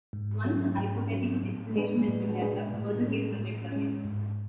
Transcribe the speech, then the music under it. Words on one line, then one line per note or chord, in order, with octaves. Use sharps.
Once a hypothetical explanation has been developed further cases are examined.
G#2
F#3 C#4
G#2
F#3 C#4
A2
G#3 D4 G#4 B4
A2
G#3 D4 G#4 B4
A2
G#3 C#4
A2
G#3 C#4
G#2